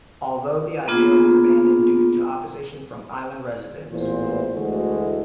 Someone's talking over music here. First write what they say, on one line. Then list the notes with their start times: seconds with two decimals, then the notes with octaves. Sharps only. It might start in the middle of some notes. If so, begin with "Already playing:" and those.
Although, the idea was abandoned due to opposition from island residents.
0.88 A#3 B3 D4 F4 G#4
3.91 A1 E2 A#2 E3 C5
4.55 D2 E3 G#3 A3 F#4 A4